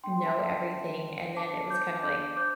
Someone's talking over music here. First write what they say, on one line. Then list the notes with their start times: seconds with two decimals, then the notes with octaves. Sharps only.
know everything, and then it was kinda like,
0.04 D4 G5 C6
0.26 E5 A5
0.36 C5
0.48 E5
0.70 D4
1.04 C5
1.36 D4 A5 D6
1.70 C5 D6 G6
2.03 D4 D6 G6
2.36 C5 D6 G6